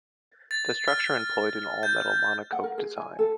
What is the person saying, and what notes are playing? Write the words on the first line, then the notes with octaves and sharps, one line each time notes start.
The structure employed an all-metal monocoque design.
A6
F6
G6
F#5
A#4
G#4
G#5
A4